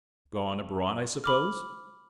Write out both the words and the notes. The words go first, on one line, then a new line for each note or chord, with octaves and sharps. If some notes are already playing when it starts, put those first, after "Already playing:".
"Gone abroad, I suppose?"
B5 D6 F6